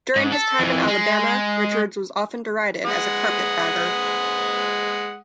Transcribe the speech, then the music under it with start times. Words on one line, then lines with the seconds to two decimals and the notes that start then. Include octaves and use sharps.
During his time in Alabama, Richards was often derided as a "carpetbagger".
0.16 G#2
0.32 A4
0.59 F2 E3
0.88 G#3
2.85 G#3 F#5 D#6